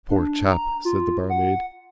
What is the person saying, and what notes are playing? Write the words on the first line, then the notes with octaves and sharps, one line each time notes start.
"Poor chap!" said the barmaid.
D4
A#5
F4
F#5